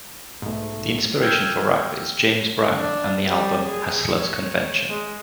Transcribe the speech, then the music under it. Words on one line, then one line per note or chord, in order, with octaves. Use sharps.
The inspiration for rap is James Brown and the album "Hustler's Convention".
B1 G#2 A3
G5 E6 F6 G6 G#6
D4
G3
G#4
C#5
G#3